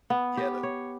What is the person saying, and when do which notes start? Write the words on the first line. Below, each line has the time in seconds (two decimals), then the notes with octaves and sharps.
Yeah, the
0.10 B3
0.37 G4
0.63 C#5